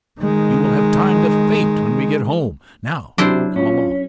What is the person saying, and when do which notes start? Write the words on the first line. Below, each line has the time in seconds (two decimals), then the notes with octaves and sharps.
You will have time to faint when we get home; now come along.
0.21 D#3 G#3
3.18 C3 F#3 D4 E4 C5
3.56 C#4 F4